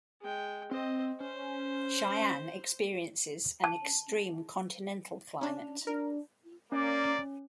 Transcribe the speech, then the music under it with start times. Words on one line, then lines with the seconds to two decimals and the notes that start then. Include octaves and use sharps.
Sheyenne experiences an extreme Continental climate.
0.22 G#3 G5
0.71 C4 C5 D#5
1.20 C#4 C5
3.64 A5
5.41 C#4 D4
5.87 D4 A#4
6.72 A#3 C#4 D5